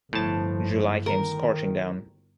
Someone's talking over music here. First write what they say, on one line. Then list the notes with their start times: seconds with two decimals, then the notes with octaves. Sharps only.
July came scorching down.
0.13 G1 A2 F3 A5
1.06 D#3 A#4